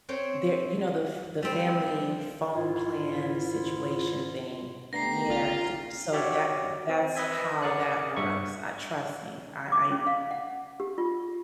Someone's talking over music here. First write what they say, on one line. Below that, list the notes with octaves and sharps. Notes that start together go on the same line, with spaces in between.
There you know, the f the family phone plan situation thing. Yes, so, eh, that m that's how that works. I trust me. I I
C4 C5 C#5 G5
G3 C4
G#2 D#3 E4 F4
D3 A3 B3 G4 A#5 A#6 C7
F4
F#4 G4 C#5 D5 E5 F#5
C4
B4 D#5 E5 G#5
G#4 A#4 D5 F#5 F#6
G2 E5 C#6
D6
C#4
F5
F#5
G4
F4